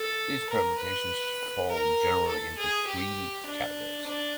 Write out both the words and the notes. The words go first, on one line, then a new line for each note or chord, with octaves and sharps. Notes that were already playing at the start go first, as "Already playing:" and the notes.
These permutations fall generally into three categories.
Already playing: A4
A#4
B4
A#4
A4
G#4
G4
D4
D4